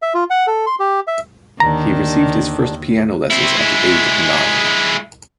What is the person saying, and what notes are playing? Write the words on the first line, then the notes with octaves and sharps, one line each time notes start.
He received his first piano lessons at the age of nine.
E5
F4
F#5
A4
C6
G4
E5
D#2 D3 D#3 D4 A#5
C4 E4
G#3 E4